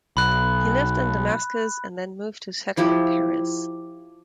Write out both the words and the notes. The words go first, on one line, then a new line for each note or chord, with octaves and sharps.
He lived in Damascus and then moved to settle in Paris.
B1 B5 F#6
F3 E4 G4